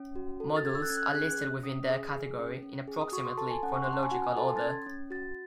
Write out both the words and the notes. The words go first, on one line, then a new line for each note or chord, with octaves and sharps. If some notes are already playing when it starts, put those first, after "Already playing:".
Models are listed within their category in approximately chronological order.
Already playing: C#4
F#4
A4
A6
C#4 G#6
E6
F#6
C#4 G#6
F#6
G#6
G#4 F#6
C#4
C#4 D#6
G#4
G#4
C#4
C#4
G#4
D#6
F#4 C#6
C6
A4 A5
G#5
C#4 F#5
C#6
C#4 C6
A5
G#5
F#4 F#5
G#5
A4 A5
C6
A6
C#4 G#6
C#4
F#4 A6